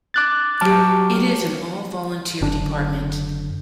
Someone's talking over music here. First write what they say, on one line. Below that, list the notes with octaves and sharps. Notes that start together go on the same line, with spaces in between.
It is an all volunteer department.
D6 F#6 A6
F#3 G4 A5 D6 F6
F#1 D3 D4